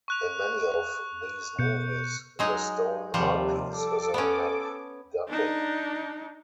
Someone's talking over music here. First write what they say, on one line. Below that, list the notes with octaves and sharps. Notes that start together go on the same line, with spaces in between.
In many of these movies, the stolen art piece is a MacGuffin.
C#6 F#6 F7
B2 G6 C#7
F#3 G#3 D#4
D#2 C3 F3 G3 F#5
A4 D6
B3 C#4
D4 D#4